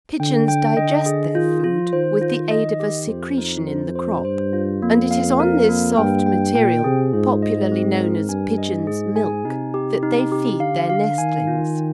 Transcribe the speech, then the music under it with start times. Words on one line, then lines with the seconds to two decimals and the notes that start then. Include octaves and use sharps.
Pigeons digest their food with the aid of a secretion in the crop, and it is on this soft material, popularly known as "pigeons' milk," that they feed their nestlings.
0.20 D3 G5
0.48 G5
0.77 D3 D#5
1.06 G#4
1.35 D#3 F4
1.64 F3 F4
1.93 D#3 C5
2.22 F4
2.51 D#5
2.80 G4
3.08 F2 C5
3.38 D#4
3.67 C5
3.95 C5
4.24 G2 C5
4.53 F4
4.82 F2 A#3
5.11 F5
5.40 A#4
5.69 A#3
5.98 G2 G5
6.26 G5
6.55 A#2 G5
6.84 C3 G#4
7.13 G#2 F4
7.42 D#5
7.72 C4
8.00 A#4
8.29 G2 G#5
8.58 D#5
8.87 G#2 G#4
9.16 G#5
9.45 C3 D#4
9.74 G4
10.03 D#4
10.32 G4
10.60 D3 F5
10.89 F5
11.18 D#3 G#5
11.47 F4
11.76 G5